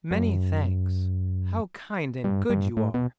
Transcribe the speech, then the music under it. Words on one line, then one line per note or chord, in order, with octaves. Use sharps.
Many thanks--how kind and good you are!
F#2
G2
G2
A2
B2